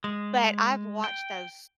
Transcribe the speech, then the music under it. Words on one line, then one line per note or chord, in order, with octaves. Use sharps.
But I've watched those
G#3
G5